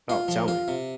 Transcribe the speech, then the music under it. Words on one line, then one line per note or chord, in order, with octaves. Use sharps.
Oh, tell me.
F4
F3
F4
C3